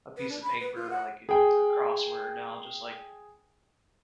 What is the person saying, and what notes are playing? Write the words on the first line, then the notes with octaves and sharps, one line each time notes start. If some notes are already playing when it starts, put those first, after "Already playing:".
a piece of paper, like, if it's a crossword, and I'll just, like,
B4
D4
B5
B4
F4
F#5
G#4 G5